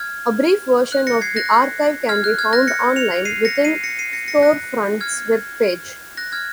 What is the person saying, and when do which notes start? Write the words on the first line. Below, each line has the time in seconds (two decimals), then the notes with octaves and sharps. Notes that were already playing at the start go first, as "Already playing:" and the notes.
A brief version of the archive can be found on-line within Storefront's webpage.
Already playing: F6 G#6
0.92 F#6
1.07 A#6 C#7
1.21 G#6 C7
1.36 F#6 A#6
2.09 F6 G#6
2.24 F#6
2.38 F6 G#6
2.53 F#6 A#6
2.68 A#6 C#7
2.96 C#7 F7
3.25 C7 D#7
3.45 A#6 C#7
3.65 C7 D#7
3.84 A#6 C#7
3.99 C7 D#7
4.13 A#6 C#7
4.28 A#6 C#7
4.43 F#6 A#6
5.01 F6 G#6
6.17 F#6 A#6
6.32 F6 G#6